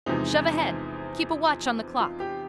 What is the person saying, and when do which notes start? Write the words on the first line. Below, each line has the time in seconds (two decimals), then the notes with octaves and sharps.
Shove ahead. Keep a watch on the clock.
0.06 E2 C3 F3 G#3 D#4
2.00 F4
2.20 G4